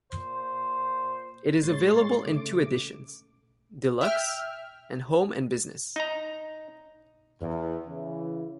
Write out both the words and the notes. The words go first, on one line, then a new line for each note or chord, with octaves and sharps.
It is available in two editions: Deluxe, and Home and Business.
A#2 C5
A2 G#3 C#5 C6 A6
C#3 A3 D6
E5 G5 F6
D#4 A#5
E2
C#3 E3